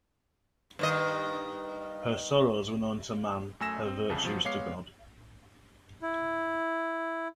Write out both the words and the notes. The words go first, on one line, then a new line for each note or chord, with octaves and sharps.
Her sorrows were known to man; her virtues to God.
G2 D#3 D#5
F#2 A3 G#5 E6 A#6 E7
C4
C2 F2 C#3 A5
B2 F3 F#3
G#3 B3 C#5 F5 D6 C7
E4